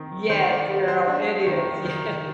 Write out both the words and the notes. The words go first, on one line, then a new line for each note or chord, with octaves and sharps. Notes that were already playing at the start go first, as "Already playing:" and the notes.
Yes, girl, it is, yes.
Already playing: D#3 C4
D#3 C5
D5
G3
C5
D4
D#3
D#3